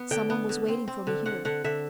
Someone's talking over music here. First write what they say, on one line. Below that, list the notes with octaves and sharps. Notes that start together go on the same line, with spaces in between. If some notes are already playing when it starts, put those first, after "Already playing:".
"Some one was waiting for me here."
Already playing: B3
D3 G5
B3
D3
C4
C4
D3
D3 F#5
D3 F#5
D3 E5